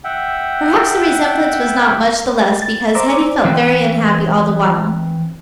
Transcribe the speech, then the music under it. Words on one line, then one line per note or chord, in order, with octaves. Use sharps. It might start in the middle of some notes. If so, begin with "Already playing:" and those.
Perhaps the resemblance was not much the less because Hetty felt very unhappy all the while.
E5 F#5 G5
A6
C5 D5 A#5 D6 E6
E3 C4 B4